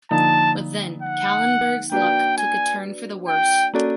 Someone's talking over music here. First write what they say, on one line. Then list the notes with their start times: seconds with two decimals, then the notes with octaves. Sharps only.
But then Callenberg’s luck took a turn for the worse.
0.11 D3 F3 A#3 D#4 A5
1.02 F#5
1.92 A#3 D4 F#4 B4 D5 G5
2.37 G#5
3.28 G5
3.74 A#3 C#4 F#4 A4 D5